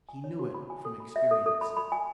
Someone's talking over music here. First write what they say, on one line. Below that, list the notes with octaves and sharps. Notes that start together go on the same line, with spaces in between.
He knew it from experience.
G#5
C#5
F#4
B5
G#5
A4
B5
E5
A4
A4
B5
B5
G#5